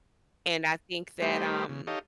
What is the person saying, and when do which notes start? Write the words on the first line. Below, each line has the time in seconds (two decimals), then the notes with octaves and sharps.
And, I think that, um
1.22 G3 A3 D#4 G4 B4 C5
1.69 C#3
1.87 D#4 G4 A4 C#5 D#5 F5